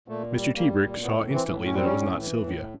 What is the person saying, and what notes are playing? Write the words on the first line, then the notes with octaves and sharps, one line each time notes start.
Mr. Tebrick saw instantly that it was not Silvia.
A#2 A3
G3
G3 A#3
A#2
A2 B3
E3
C4
A2
C#4
G3 C4
C#4
A2
E3
A2